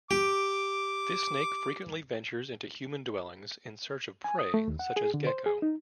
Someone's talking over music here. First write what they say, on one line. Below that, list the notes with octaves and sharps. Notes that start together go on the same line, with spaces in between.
This snake frequently ventures into human dwellings in search of prey such as gecko.
G4 D6
G#5
D#6
A3
D#2
F#5
G#4
D3
C5
G#4
D#4